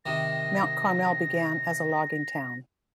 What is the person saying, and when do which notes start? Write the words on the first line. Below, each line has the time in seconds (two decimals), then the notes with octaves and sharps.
Mount Carmel began as a logging town.
0.06 C3 D#3 A#6